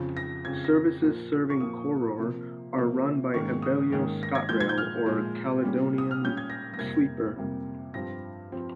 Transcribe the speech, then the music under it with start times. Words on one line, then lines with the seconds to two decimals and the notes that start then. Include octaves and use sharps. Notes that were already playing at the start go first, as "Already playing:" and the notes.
Services serving Corrour are run by Abellio ScotRail or Caledonian Sleeper.
Already playing: F2 C#3 F3
0.17 A#6
0.45 F2 C#3 F3 G#6
0.64 A#6
1.03 A#2 F3 A#3
1.50 C#6
1.60 A#2 F3 A#3 D#6
2.18 C3 F3 A#3
2.76 C3 F3 A#3
3.34 G#2 D#3 A#3 C#4 C#6
3.62 D#6
3.91 G#2 D#3 A#3 C#4
4.23 A#6
4.35 G#6
4.49 A#2 F3 G#3 G6
4.60 G#6
4.69 G6
4.78 F6
5.06 A#2 F3 G#3
5.63 A#2 G3 C#4
5.98 D#6
6.11 F6
6.21 A#2 G3 C#4 G6
6.37 G#6
6.50 A#6
6.74 A#6
6.78 F2 C3 G3 A#3 G#6
7.36 F2 C3 G3 A#3
7.94 G2 F3 C4 A#6
8.52 F3 C4